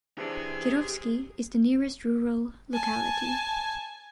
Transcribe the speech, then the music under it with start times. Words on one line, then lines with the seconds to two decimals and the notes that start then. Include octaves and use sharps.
Kirovsky is the nearest rural locality.
0.18 E3 D4 G4 G#4 C5
2.73 G#5 A5